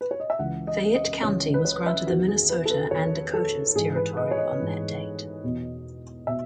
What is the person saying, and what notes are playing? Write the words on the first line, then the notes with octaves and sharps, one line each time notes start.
Fayette County was granted the Minnesota and Dakotas territory on that date.
B4
C#5
D#5
E5
C#2 C#3 E3 F#5
D#5
D#5
C#2 C#3 E3 C#5
B4
C#5
E5
E2 D#3 F#4
G#4
B4
A4
B4
E2 D#3 C#5
A4
G#2 E3 G#4
B4
D#5
C#5
D#5
G#2 E3
E2 B2
B2 E5